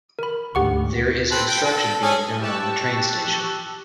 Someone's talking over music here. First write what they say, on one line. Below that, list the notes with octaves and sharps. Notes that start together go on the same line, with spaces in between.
There is construction being done on the train station.
A#4 B5
D2 G#2 G4 F#5 C#6
C4 A4 B4
G5
A4
C#4 G#4 A4
G4 A5 C#6 E6 F#6